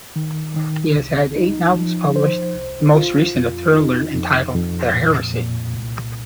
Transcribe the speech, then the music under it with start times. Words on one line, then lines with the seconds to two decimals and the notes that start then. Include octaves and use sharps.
He has had eight novels published, the most recent a thriller entitled "The Heresy".
0.16 D#3
0.56 D#3
0.96 C2
1.36 D#4
1.76 F3
2.16 C5
2.55 C2
2.94 F4
3.35 F2
3.74 D#4
4.15 F2
4.55 F2
4.94 A#2
5.34 A#2
5.74 C2